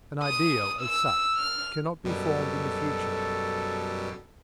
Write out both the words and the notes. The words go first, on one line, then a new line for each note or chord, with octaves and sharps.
An ideal, as such, cannot be formed in the future.
D#6
E6
F6
F#2 B2 G3 A4